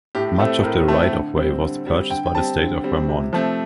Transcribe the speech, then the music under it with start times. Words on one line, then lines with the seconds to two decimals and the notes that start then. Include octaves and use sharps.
Much of the right-of-way was purchased by the State of Vermont.
0.15 A2 G4
0.39 A3 C4 A4
0.63 A2 A#4
0.88 A3 C4
1.13 D3
1.37 G3 C4
1.61 D3
1.86 G3 C4
2.10 D3 G5
2.26 G5
2.35 G3 C4 A5
2.59 D3
2.84 G3 C4
3.08 C3
3.33 F3 A3 C4